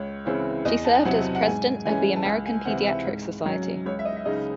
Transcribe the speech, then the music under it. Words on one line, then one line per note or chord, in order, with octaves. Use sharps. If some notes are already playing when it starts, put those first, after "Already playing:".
She served as president of the American Pediatric Society.
Already playing: C#2 C#5
C#3 E3 C4 E4 C#5
E2 D#5
A5
G#5
C3 F#3 C4 E4 F#5
F#5
G#2 G#5
E3 G#3 C#4 G#5
A5
C#2 G#5
G#5
C3 E3 C4 F#5
E5
G#2
F#3 C#4
C#2 C#5
E5
D#5
E5
C#3 G#3 D#4 D#5